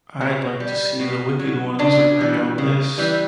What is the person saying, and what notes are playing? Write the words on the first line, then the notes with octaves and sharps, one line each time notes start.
I’d like to see the wicked ones agree on this.
B2
G3
B2
F#3
C#3 D4
E3 G3
C#3
E3 G3